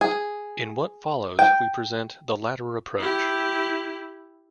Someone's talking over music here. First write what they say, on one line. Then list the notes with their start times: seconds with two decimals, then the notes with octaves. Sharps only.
In what follows we present the latter approach.
0.01 G#4
1.39 G5
2.99 E4 G4